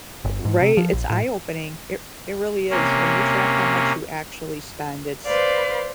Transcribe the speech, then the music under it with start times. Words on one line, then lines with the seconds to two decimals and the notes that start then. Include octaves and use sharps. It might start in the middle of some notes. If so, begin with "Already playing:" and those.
R right, it's eye opening, it it really is, when you track how much you actually spend, it's
0.24 G1
0.45 G#2
0.61 C3
0.77 F3
0.93 A#1
1.10 A2
2.71 C3 A#3 C#4
5.24 B4 C5 D5 F5